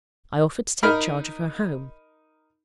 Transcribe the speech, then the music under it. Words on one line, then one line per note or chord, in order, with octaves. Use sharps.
I offered to take charge of her home.
D#4 A#4 B5 F6